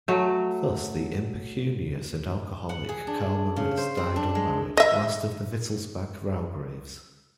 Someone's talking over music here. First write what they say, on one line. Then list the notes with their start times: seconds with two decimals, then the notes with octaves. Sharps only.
Thus the impecunious and alcoholic Karl-Moritz died unmarried, last of the Wittelsbach raugraves.
0.08 F#3 A3
2.69 F#5
2.89 G#4
3.07 D4
3.56 C#3
3.77 C5
3.97 C4
4.16 D4
4.35 G#3
4.77 D#5 E5